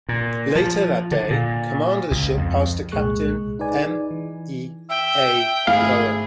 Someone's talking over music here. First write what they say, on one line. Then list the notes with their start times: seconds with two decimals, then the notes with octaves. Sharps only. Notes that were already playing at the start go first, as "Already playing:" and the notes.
Later that day, command of the ship passed to Captain M. E. A. Gouin.
0.09 A#2
0.55 F3
1.11 D3
1.30 A#2
2.11 C#2
2.37 F2
2.92 C2 A#2 G#3 G#4 C#6 F#6
3.59 D#4 G#4 B4 D5 G#5
4.11 E3
4.90 E5 G5
5.67 G#1 A3 E4 G#4 F5